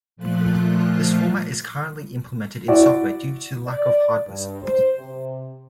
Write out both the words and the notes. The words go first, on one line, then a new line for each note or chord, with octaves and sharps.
This format is currently implemented in software due to lack of hardware support.
A#2 F3 A3 F4 F#6
E4 F#4 D5
D5
G2
C5
C3